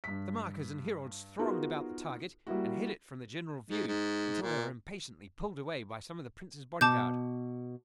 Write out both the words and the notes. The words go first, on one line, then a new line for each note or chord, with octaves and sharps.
The markers and heralds thronged about the target and hid it from the general view until they were impatiently pulled away by some of the Prince's bodyguard.
G2 B6
B3 D#4 F4 F#4 G#4 A#4
G3 A#3 E4 F#4
G#2
G#2
A#2
B2 A5 D6 G6